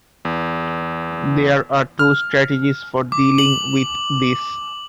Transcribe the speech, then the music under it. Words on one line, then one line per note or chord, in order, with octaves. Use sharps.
There are two strategies for dealing with this.
E2
F6
D6
F#7